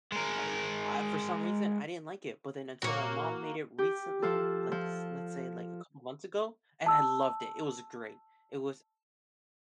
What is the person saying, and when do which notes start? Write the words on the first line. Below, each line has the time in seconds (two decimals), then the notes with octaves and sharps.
Like, I for some reason, I didn't like it. But then until my mom made it recently, like, let's say, like, a couple months ago, and I loved it. It was great. It was
0.12 G#3 A#4
2.82 A#2 A#3 F#4 C#5
3.78 G4
4.22 F3 F4 A4
4.72 F3
6.86 A5 E6